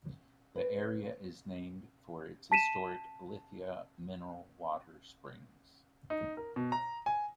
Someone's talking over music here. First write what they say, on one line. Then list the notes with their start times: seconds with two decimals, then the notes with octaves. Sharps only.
The area is named for its historic "lithia" mineral water springs.
0.56 B4
2.52 A5 B6 D#7 E7
6.10 D#4
6.37 A#4
6.56 B2
6.72 A#5
7.06 G#5